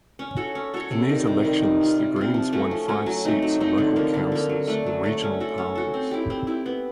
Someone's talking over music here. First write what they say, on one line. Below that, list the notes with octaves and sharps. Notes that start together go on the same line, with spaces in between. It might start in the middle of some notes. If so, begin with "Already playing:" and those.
In these elections, the Greens won five seats in local councils and regional parliaments.
C#4
F#4 A4 C#5
C#4
F#4 A4 C#5
C3
D#3 G3
C3
D#3 G3
G3
C4 F4
G3
C4 F4
F3
A3 C#4 F#4
F3
A3 C#4 F#4
F#3
A3 C4 D#4
F#3
A3 C4 D#4
D3
F3 A#3
D3
F3 A#3
F#3
A3 D4
F#3
A3 D4
C#4
F#4 A4
C#4
F#4 A4
C4
E4 G4
C4
E4 G4
B3